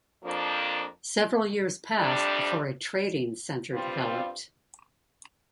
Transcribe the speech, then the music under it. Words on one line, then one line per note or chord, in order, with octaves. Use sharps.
Several years passed before a trading center developed.
F2 F3 A#3 D4 F4
F2 C3 G3 D4
G2 G3 C4 F4